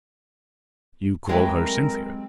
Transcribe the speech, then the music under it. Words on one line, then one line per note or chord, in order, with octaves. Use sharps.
"You call her Cynthia?"
F#3 G#3 A3 C4 G4 A#4 B4